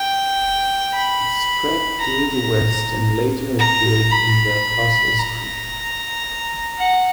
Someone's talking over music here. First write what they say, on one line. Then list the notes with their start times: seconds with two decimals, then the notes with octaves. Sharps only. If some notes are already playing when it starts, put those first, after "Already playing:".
It spread through the west and later appeared in the Apostles' Creed.
Already playing: G5
0.94 B5
2.00 A#5
3.59 A#5
4.12 B5
5.19 A#5
6.78 F#5